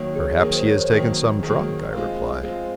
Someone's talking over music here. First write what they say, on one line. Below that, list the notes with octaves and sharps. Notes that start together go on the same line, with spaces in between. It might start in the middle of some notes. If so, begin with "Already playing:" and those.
"Perhaps he has taken some drug," I replied.
Already playing: D#3 F#3 A#3 C#5
G#4
D#3 F#3 A#3 A#4
C5
C#5
C5
D#3 F#3 A#3
D#3 F#3 A#3 G#4
G#3 C4 F4
G#3 C4 F4